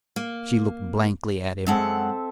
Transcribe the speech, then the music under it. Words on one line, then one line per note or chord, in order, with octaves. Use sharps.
She looked blankly at him.
A#3
F#2 G#3 C4 A4 E5 F#5